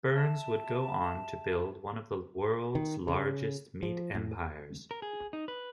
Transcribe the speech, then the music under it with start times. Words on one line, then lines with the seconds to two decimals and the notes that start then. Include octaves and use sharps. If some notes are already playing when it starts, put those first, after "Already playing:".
Burns would go on to build one of the World's largest meat empires.
0.14 E5 A5
2.75 D#3
3.08 C#3
3.83 F3
4.15 A2
4.91 A#4
5.02 G#4
5.33 D#4
5.48 B4